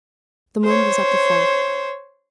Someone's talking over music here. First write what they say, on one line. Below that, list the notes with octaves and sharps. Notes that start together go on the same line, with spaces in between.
The moon was at the full.
C5 C#5